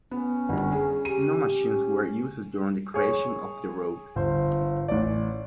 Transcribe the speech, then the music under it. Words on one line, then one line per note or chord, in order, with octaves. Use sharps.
No machines were used during the creation of the road.
B3 C#4
G1 G2
G#4
G4 D#7
C#4
G#4 C#5
G1 C5
A1 D5